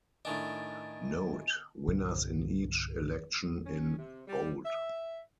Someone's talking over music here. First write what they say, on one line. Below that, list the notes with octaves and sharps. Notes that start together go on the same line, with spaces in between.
"Note: winners in each election in" bold.
A2 D#3 D4 D#5 G#5 A6
C2 G2 A#2 D3
C#4
C3
G3
E5